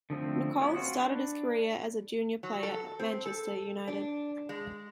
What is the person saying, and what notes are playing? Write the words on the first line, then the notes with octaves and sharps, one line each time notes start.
Nicholl started his career as a junior player at Manchester United.
D3 F3 A3 C4
F#3 A3 B3 C#4 E4
C4 F4 F#4
D4 B4
F#3
A4
C4
A4
D4
G#3